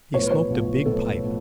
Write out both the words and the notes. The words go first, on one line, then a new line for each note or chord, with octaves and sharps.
He smoked a big pipe.
B1 A2 F3 B3 C#5
B4
C#5
B1 A2 F3 B3
B1 A2 F3 B3 A4
A2 F3 B3